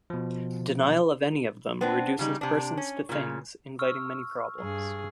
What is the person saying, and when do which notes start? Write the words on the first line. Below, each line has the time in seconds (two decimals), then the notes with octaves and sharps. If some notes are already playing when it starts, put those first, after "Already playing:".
Denial of any of them reduces persons to things, inviting many problems.
0.10 B2 F3
1.81 B3 C4 D4
2.19 C#3 G3 D#4
2.41 C3 D4
2.77 C#4
3.09 A#2 C#3
3.79 C#6 E6 F6
4.59 G2 G#4